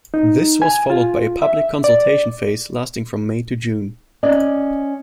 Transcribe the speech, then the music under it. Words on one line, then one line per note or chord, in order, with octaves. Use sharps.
This was followed by a public consultation phase lasting from May to June.
D#4
G#5
F4
E5
D5
C#4 D5 D#5